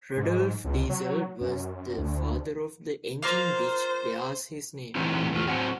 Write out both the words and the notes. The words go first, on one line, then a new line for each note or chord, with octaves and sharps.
Rudolf Diesel was the father of the engine which bears his name.
G#2
C#2
F#3
F#2
D2
A#3 F4 C5 F5
E3 F#3 A3 C4 D#4
E2 A3 F4
F#3 C4 F#4 C5 F#5